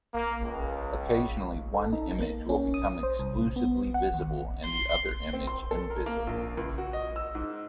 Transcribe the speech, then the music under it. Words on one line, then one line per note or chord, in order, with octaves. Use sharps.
Occasionally one image will become exclusively visible and the other image invisible.
A#3
C#2
A4
D#4
A#3
C#4
D#6
C5
C2
B3
F#5
D#2
C6
C4
C6
A4
A#4
A#3
A#1
C#2
F#4
D#5
E6
G#2